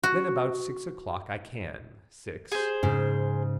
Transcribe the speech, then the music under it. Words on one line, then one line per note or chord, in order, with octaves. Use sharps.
Then about six o'clock I can. Six.
F#4
G#4 C5
G#2 C#3